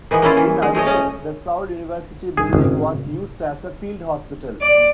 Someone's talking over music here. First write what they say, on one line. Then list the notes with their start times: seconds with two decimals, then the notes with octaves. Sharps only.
In addition, the Soule University building was used as a field hospital.
0.11 D#3 E3 G#3 B3
0.22 A#3 C#4 E4 F4
0.37 E3
0.62 G#3
0.75 G#3 A3 C#5 D#5
0.87 C#4 D#5
2.37 G2 G#4
2.53 G#1 A2 C#3
4.61 D5